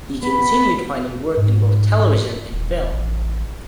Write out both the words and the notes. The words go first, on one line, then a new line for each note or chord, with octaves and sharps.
He continued finding work in both television and film.
B3 B5
G#2
D#1
A1